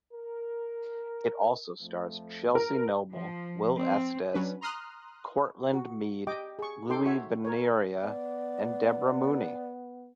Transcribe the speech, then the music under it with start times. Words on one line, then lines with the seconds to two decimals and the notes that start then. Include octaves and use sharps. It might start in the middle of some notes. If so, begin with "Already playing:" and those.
It also stars Chelsea Noble, Will Estes, Courtland Mead, Louis Vanaria, and Debra Mooney.
0.12 A#4
1.81 F2 F3 A3
2.55 A#4
3.13 F3
3.77 C4
4.34 F#3 C#4 D4 B4
4.61 A#5 C6 D#6 F6 F#6
5.74 F#4
6.27 G4 D#5 G5 D6
6.59 G#4 C#6
6.89 D#4 A4 G5 C6 D6
7.05 F#4 C#5 E5
7.45 A#4 C#5
8.03 B3 D5